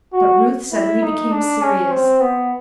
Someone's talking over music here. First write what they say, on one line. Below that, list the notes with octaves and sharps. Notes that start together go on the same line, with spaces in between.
But Ruth suddenly became serious.
F#4
E4
D#4
D4
C#4
C4
B3